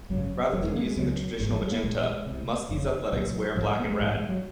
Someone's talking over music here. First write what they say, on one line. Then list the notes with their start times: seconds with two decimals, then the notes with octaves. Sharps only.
Rather than using the traditional magenta, Muskies athletics wear black and red.
0.10 G#1 F#2 C#3 F#3
0.53 F1 F2 C3 F#3
0.65 G#3
0.75 A#3
0.85 G#3
0.96 C#2 C#3 F#3
1.40 G#1 G#2
1.51 F3
1.61 F#3
1.72 A#3
1.83 A#1 A#2 G#3
2.26 C2 C3
2.69 F#1 F2 C#3
3.12 C2 A#2 F#3
3.56 A#1 G#2 F3
3.70 G#3
3.80 A#3
3.85 G#3
3.99 A#1 G#2 G#3
4.14 G#3
4.29 F#3